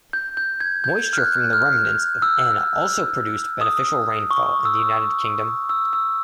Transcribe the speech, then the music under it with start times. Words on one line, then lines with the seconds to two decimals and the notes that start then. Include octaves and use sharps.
Moisture from the remnants of Ana also produced beneficial rainfall in the United Kingdom.
0.13 G6
0.37 G6
0.60 G#6
0.84 G6
1.13 F6
1.18 F#6
1.53 F6
2.22 E6
3.61 D#6
4.31 C#6
4.65 E6
5.69 E6
5.93 E6